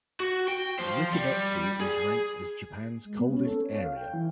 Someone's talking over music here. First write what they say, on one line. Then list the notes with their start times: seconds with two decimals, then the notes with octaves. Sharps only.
Rikubetsu is ranked as Japan's coldest area.
0.20 F#4
0.48 G5
0.78 F3 C5
1.13 G3
1.80 G#4
3.05 G#3
3.19 B3
3.31 C#4
3.47 A4
3.64 C#5
3.79 F5
3.97 G5
4.14 E3